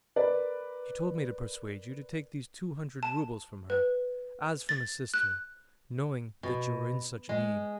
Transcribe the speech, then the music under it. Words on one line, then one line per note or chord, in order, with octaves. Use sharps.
She told me to persuade you to take these two hundred roubles from her, as from a sister, knowing that you are in such need.
A#4 B4 D5
A5
B4
A6
F#6
B2
G#3